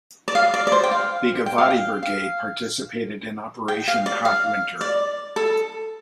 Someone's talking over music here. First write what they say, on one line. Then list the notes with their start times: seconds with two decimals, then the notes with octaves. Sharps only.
The Givati Brigade participated in Operation Hot Winter.
0.28 D5
0.35 F5
0.54 D5
0.67 D5
0.72 C5
0.84 G5
0.91 F5
1.46 G5
1.58 F5
1.71 G5
2.03 F5
3.68 G5
3.88 F5
4.06 D5
4.25 F5
4.81 D5
5.36 A4